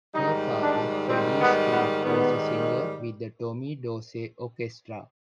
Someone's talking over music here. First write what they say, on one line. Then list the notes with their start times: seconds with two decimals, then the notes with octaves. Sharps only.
Her father, Freddie Stewart, was a singer with the Tommy Dorsey Orchestra.
0.14 G#2 D#3 G3 D#4
0.61 D4
1.09 G#2 D#3 G3 C4
1.40 B3
1.72 B3
2.03 G#2 D#3 G3 B3